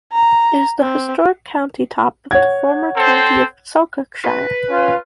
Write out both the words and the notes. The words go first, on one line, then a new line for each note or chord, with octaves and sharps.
It is the historic county top of the former county of Selkirkshire.
A#5
C4
C#5 F#5 G#6
C4 A4 C5
B4
C#4 F4